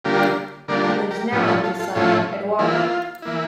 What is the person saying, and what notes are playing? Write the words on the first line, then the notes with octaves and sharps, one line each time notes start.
He lives now with his son Edoardo.
D3 G3 A#3 D4 F4 G4 A#4
D3 G3 A#3 D4 F4 A#4 D5
A4
G4 A#4
G4 A#4
A2 F3 C#4 E4 G4 A#4
F4 A4
F4 A4
F4 A4
A2 F3 C#4 E4 F4 A4
E3 A#3 E4 F4
E3 A#3 E4